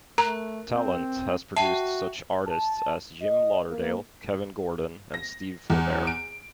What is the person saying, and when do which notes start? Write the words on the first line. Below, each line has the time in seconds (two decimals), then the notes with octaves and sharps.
Tallent has produced such artists as Jim Lauderdale, Kevin Gordon, and Steve Forbert.
0.18 A3 A#4 A#5
0.71 C4
1.56 F#4 E5 G5 A5
2.47 A5
3.21 D#5
3.68 A#3
5.14 A#6
5.70 E2
6.07 D7